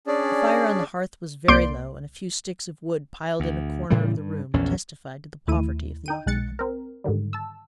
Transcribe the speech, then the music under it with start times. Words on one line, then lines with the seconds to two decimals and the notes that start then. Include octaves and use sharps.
The fire on the hearth was very low, and a few sticks of wood piled in a corner of the room testified to the poverty of the occupants.
0.07 C#4 D4 G#4 D5
1.48 C2 A#3 D5 C6 G6 D7
3.40 D2
3.90 A2 C#3 E3 G3
4.17 G2
4.54 A#1 E2 C#4
5.47 D#2 A3 E4 D#7
6.06 D#4 G5 D#7
6.26 B1 G#3 F#6 A6 C#7
6.59 C4 A#4
7.04 G#2 D3 D#3 G3
7.33 A5 E6